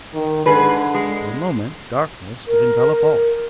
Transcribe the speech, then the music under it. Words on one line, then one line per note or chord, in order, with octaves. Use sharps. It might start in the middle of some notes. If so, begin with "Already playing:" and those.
In a moment darkness would envelop all.
D#3
G#2 D3 G#4 B4
G#3
A#4